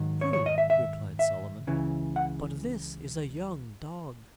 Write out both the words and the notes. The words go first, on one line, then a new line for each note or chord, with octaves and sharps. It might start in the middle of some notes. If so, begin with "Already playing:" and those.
"True," replied Solomon, "but this is a young dog."
Already playing: G#2 D#3 F#3
C#5
C#5
D#5
E5
E5
E5
C#2 C#3 E3
F#5